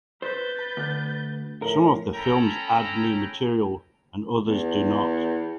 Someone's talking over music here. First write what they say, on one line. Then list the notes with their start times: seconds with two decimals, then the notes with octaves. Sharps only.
Some of the films add new material, and others do not.
0.22 B4 C5 G6 A6
0.77 D2
1.62 A2 F3 A#4
2.15 C#4 A4 G5 A#5 B5
4.42 E2